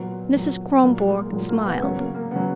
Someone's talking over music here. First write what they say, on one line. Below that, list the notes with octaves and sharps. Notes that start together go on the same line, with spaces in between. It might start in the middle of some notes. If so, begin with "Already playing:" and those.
Mrs. Kronborg smiled.
Already playing: A#2 F#3 B3
A#2 F#3
A#2 F#3 A#3
G#3
A#3
A#2 F#3 G#3
A#3
B3
C#3 F#3 C#4
A#3
A#3
C#3 F#3 B3